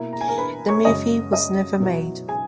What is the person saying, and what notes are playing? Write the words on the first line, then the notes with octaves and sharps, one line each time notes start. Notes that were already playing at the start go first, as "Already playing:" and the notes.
The movie was never made.
Already playing: B2 A#3 E4
A#5
G#5
A#4 A#5
B4 B5
C#5 C#6
F#2 C#3 G#3 C#4 D#5 D#6
D#5 D#6
B2 F#3 B3 E4
G#4 G#5